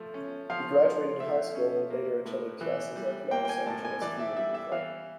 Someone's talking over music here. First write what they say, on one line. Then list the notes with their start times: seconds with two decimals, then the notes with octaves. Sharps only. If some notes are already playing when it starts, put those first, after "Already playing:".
He graduated high school, and later attended classes at Los Angeles Community College.
Already playing: F3 A3
0.14 C#4
0.50 F3 F5
0.85 F3
1.19 A3 E5
1.55 C#4
1.90 A#3
2.26 A2
2.61 E3
2.96 G3
3.31 A#3 G5
3.45 G5
3.49 G#5
3.66 A2 A5
3.85 G#5
4.02 E3 D5
4.19 E5
4.36 G3 E5
4.54 E5
4.72 E3 F5